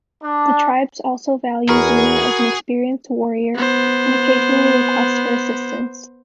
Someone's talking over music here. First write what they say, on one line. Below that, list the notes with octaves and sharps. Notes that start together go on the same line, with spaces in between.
The tribes also value Xena as an experienced warrior, and occasionally request her assistance.
D4
E2 F#4 G#4 A#4 B5
B3 C5